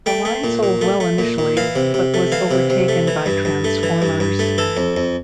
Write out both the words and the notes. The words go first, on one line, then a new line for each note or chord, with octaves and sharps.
The line sold well initially, but was overtaken by Transformers.
A3 G5
A3
A#2
A#2
A3
A3
A#2
A#2
E3 F5
C3
C3
A3
E3 F5
C3
C3
A3
E3
G2
G2
A3
E3
G2
G2
A3
E3 A4
F2
F2